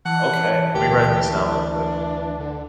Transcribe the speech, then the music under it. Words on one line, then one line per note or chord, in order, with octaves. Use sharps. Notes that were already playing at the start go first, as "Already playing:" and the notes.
Okay, let me write this down real quick.
E3 F#5 A5
D2 G4
D4
D3